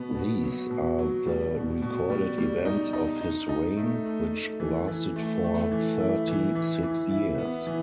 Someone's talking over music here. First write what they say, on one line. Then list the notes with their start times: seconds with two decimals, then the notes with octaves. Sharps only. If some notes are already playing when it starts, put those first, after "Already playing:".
These are the recorded events of his reign, which lasted for thirty-six years.
Already playing: B2 B3
0.15 B2
0.43 F#3
0.71 B2
0.98 F#3
1.27 G3
1.55 B2
1.82 B2
2.10 G3
2.38 G3
2.65 D#4
2.93 D#4
3.21 D#4
3.49 D#4
3.77 A3
4.05 A3
4.32 A3
4.60 E3
4.88 E3
5.16 A3
5.44 A3
5.72 E3
6.00 E4
6.27 E3
6.55 E3
6.83 E3
7.11 E4
7.38 B3
7.67 E3